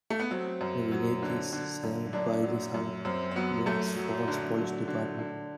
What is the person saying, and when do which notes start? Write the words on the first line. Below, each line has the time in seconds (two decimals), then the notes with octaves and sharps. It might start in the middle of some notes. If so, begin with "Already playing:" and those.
The Village is served by the South Glens Falls Police Department.
0.10 A3
0.20 B3
0.31 F#3 C4
0.61 F#2
0.92 F#3
1.23 D3
1.53 D3
1.83 F#2
2.13 F#2 D4
2.43 F#3
2.74 F#2
3.05 F#2 C4
3.31 C4
3.36 F#3 B3
3.66 F#2 A3
3.96 F#3
4.28 D3
4.58 F#3
4.88 D3
5.19 D3